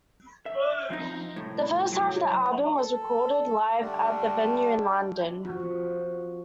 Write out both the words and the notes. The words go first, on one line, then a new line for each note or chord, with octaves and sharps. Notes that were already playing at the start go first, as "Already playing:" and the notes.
The first half of the album was recorded live at The Venue in London.
E5
F3 C4 D#4
C2 A2
F#3
A4
D3 G3 A3 D4
F3 F#4